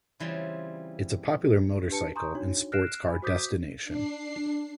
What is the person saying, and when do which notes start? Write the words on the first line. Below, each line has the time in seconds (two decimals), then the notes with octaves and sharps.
It is a popular motorcycle and sports car destination.
0.20 C#3 E3 G3 C4 F4
1.89 D4 G4 B4 A5 C#7
2.15 G#5 A#5 C6 C#6 D#6 G6
2.35 D4 D#4 F#4 C#5
2.72 F6 F#6 A#6 C7 D7 E7
3.09 G#5 B5
3.22 F#4 C5 D6 D#6 G6 B6
3.85 D4 C7